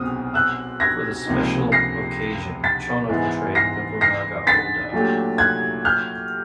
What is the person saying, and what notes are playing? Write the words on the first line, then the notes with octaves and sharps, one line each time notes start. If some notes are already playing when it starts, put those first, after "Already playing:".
For the special occasion, Chono portrayed Nobunaga Oda.
Already playing: B1 B2 G#3 C4 D#6 F6
E6 F#6
G#6 A#6
C#2 C3 F3 A#3 D#4
A#6 C7
A6 B6
G#2 E3 G#3 B3 E4
A#6 C7
A#6 C7
A6 B6
A#2 F#3 A3 D4 G4
F#6 G#6
F6 G6